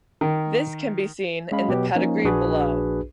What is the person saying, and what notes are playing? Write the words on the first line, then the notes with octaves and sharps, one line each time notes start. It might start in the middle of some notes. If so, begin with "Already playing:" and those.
This can be seen in the pedigree below.
D#3
G#3 C#4 F5 B5
B2 F#3 G4 B4
F3 A#3 C#4 D#4
A#1 D4 F#4 G#4 B4